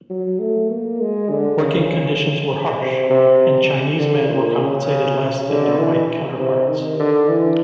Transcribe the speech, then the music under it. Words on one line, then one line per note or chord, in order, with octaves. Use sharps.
Working conditions were harsh, and Chinese men were compensated less than their white counterparts.
F#3
A3
A#3
G#3
D3
C#3
C3
C3
D3
A#2
C#3
D3
E3
C3
D#3
D3
E3